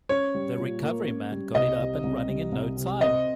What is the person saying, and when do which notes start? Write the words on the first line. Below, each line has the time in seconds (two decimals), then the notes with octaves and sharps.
The recovery man got it up and running in no time.
0.09 C#4 C#5
0.34 G3
0.58 A#2
0.83 A#3
1.07 C#4
1.32 G3
1.55 C2 D#5
1.80 C3
2.03 C2
2.28 G3
2.52 C2
2.77 C3
3.00 C4 D#5